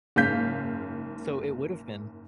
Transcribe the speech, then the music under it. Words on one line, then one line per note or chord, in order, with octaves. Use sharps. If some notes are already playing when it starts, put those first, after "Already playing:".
so, it would've been
F#1 G#2 C#4 F5 G6 B6